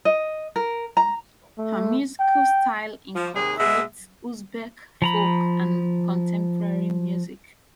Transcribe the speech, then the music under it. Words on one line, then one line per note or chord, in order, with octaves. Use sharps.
Her musical style incorporates Uzbek folk and contemporary music.
D#5
A#4
A#5
A3
G5
F3
D#2 C3 G#4
B2 G#3 E5
F3 A#5 B5